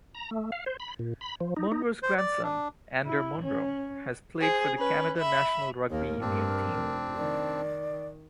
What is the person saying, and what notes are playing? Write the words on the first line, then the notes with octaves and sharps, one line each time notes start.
Monro's grandson, Ander Monro, has played for the Canada national rugby union team.
A#5
A3
F5
C5
B5
A#2
B5
F3
D#4
D#4
C5
D5
D4
E4
C#4
G#4 C5
C#4 B4
E5 B5
D#2 A#3 A#4
G2 C4 D4
F1
D#3 D5